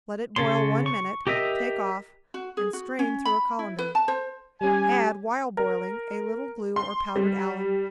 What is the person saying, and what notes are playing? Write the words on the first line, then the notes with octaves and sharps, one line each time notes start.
Let it boil one minute, take off and strain through a colander. Add, while boiling, a little glue or powdered alum.
C#3 A4 C#5 C6
C#6
G4 A#4 D#5 E5
F#4
G#4
F#4
C#4
B5
E4
B4
A5
C5
G3 C#4 G4 G#5
A#4
C6
G3